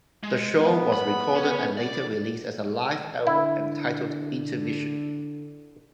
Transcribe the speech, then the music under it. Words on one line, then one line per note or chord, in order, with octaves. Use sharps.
The show was recorded and later released as a live album, entitled "Intermission".
G#3
B3
B5
C#4
D5
D3 E4